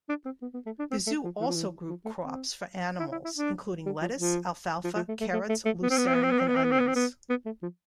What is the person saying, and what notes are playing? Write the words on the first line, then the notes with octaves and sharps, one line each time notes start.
The zoo also grew crops for animals including lettuce, alfalfa, carrots, lucerne and onions.
D4
C4
B3
B3
A3
D4
C4
A3
F3
E3
F3
E3
F3
A3
C4
E4
E4
E4
D4
G3
F3
F3
F3
F3
A3
A3
A3
A3
A3
B3
C4
B3
C4
B3
C4
B3
C4
B3
C4
B3
C4
B3
C4
B3
B3
A3
F3